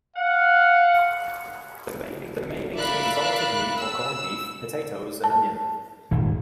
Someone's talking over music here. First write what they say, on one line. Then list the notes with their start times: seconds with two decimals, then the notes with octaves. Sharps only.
The main ingredients are salted meat or corned beef, potatoes, and onion.
0.17 F5 F#5
2.75 A#4 D5 E5 F5 B5 F#6
3.78 E6
5.24 A5
6.11 D#1 G#1 D#3